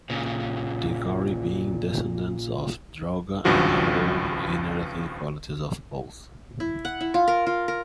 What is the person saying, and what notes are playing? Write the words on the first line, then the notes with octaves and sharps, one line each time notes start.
The Gauri being descendants of Drauga and Haroun inheriting qualities of both.
A#2 C#3
G#1 C#2 G2 F3 F#4
E4
F#5
E4
F4
A#4
F4
A#4